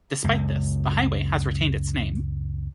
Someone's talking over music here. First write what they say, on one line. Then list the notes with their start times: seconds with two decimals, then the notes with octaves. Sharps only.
Despite this, the highway has retained its name.
0.24 C#2 F#2